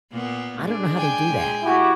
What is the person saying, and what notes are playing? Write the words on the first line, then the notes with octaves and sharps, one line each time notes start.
I don't know how they do that.
A#2 A#3 B3
G#3 D4
G5 G#5
A#2 G#3
E4 F#4 G4